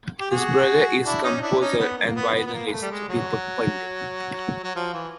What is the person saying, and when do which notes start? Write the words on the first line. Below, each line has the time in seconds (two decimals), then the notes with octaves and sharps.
His brother is composer and violinist Deepak Pandit.
0.20 G4
0.31 F#4 G#4
1.05 D4 E4
1.23 C#4 D#4
1.36 D#4
1.42 D4 E4
1.61 C#4 D#4
1.78 B3
1.98 A#3
2.16 B3
2.35 B3
2.46 B3
2.54 A#3
2.67 G#3
2.71 A3
2.82 G3
2.91 G#3
3.09 F#3
4.63 F#3
4.75 F3
4.93 E3